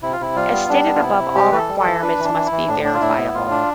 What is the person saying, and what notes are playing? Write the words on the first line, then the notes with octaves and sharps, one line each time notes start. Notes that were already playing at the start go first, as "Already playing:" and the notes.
As stated above all requirements must be verifiable.
C3 E4
F4
C3 E4
G3 F4
B3
G3 D4
B3
F4
C3 E4
C3
G3 G4
E3 B4
A4
G3
A4
E3
D4 B4
E3
D4
E3
E4
E3
A2 D4
D4
F4
A2 E4
B3
A2 F4
D4